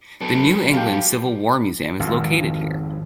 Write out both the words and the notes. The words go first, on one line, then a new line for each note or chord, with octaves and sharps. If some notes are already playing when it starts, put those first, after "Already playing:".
The New England Civil War Museum is located here.
F#3 B3 A4
F4 G4
G#1 F2